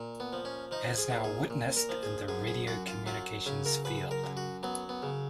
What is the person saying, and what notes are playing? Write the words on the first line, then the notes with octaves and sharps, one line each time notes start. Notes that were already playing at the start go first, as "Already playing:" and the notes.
As now witnessed in the "radio communications" field.
Already playing: A#2
B3
F3
C#4
F3 D#4
G#4
A#2
G#4
A#2
A#4
F3
G#4
F#2 G#4
G#4
F#2 F#4
F4
F#3 F4
C#3 C#4
A#4
F#2 B4
A#4
F#2
F#4
F#3 B3
B3
C#3